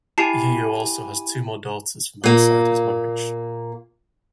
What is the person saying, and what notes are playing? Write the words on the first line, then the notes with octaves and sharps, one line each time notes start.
Yeo also has two more daughters from outside his marriage.
E4 G4 G#5 A5 C7 F7
A#2 A#3